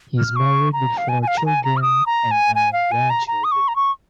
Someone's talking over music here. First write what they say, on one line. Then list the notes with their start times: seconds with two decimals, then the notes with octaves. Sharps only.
He is married with four children and nine grandchildren.
0.18 F6
0.36 C#6
0.73 A#5
0.97 F5
1.09 G#5
1.22 G#5
1.27 F5
1.37 A#5
1.46 G#5
1.64 A#5
1.77 F6
1.82 D#6
2.06 A#5
2.31 G#5
2.55 G#5
2.73 F5
2.91 G#5
3.10 A#5
3.28 A#5
3.44 D#6
3.52 C#6
3.68 A#5
3.76 C#6